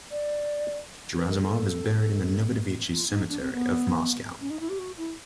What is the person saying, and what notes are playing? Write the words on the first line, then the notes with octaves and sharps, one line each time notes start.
Gerasimov is buried in the Novodevichy Cemetery of Moscow.
D5
B4
A#4
A4
F4
D#4
D4
C4
B3
C#4
D#4
E4
G4
F#4
E4